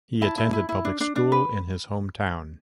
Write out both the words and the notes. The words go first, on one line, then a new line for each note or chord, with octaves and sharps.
He attended public school in his home town.
E4 A5
E4
E4
E4
D4
D4
D4
B4